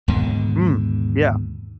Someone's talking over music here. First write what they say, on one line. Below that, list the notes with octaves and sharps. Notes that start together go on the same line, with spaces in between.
Mm. Yeah.
D#2 G#2 B2 D3